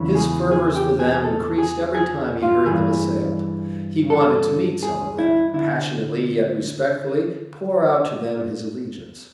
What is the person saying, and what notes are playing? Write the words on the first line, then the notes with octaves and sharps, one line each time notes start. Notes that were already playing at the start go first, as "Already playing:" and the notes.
His fervors for them increased every time he heard them assailed; he wanted to meet some of them, and passionately, yet respectfully, pour out to them his allegiance.
Already playing: E2 C#3 E3
G#4
G#4
G4
G#4
G#4
A4
G#4
G#4
F4
G2 E3 G#4
A4
G#4
E4
D3 E4